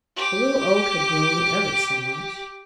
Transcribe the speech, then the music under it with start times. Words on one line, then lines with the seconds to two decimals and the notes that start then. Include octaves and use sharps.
The Little Oak had grown ever so much.
0.16 G4 D6